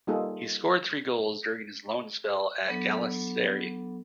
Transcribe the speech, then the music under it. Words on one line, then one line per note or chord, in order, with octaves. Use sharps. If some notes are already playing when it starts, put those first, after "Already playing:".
He scored three goals during his loan spell at Galatasaray.
G3 A#3 D#4 F4 G#4 A4
F#3 B3 D4 A4